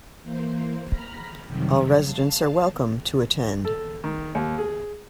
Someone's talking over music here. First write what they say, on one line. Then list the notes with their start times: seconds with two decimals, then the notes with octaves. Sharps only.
All residents are welcome to attend.
0.23 E3 A#3 C5
0.89 A#5 B5 F6
1.46 F#2 C3 D#3 F#3 G3
2.02 F5 A5
3.65 A4
4.04 D#3
4.35 D#2
4.58 G#4